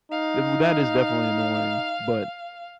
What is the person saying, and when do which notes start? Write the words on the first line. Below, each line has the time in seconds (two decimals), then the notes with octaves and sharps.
w that is definitely annoying, but
0.12 D#4 F5